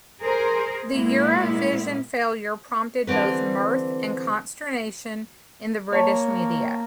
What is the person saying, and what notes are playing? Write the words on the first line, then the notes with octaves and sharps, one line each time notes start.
The Eurovision failure prompted both mirth and consternation in the British media.
G#4 A#4 C5
A#2 G#3 A#3 B3 E4
D3 E3 G3 C4 B4
A#3 C#5 A5